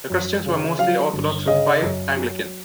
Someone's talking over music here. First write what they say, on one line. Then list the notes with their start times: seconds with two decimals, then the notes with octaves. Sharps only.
The Christians were mostly Orthodox with five Anglicans.
0.10 F#2
0.45 C#3
0.79 F#3 F5
1.13 G1
1.47 C#3 D#5
1.82 F#2
2.17 F#3